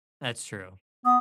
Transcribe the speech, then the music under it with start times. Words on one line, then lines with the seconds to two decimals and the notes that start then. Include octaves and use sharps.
That's true,
1.05 B3 D#6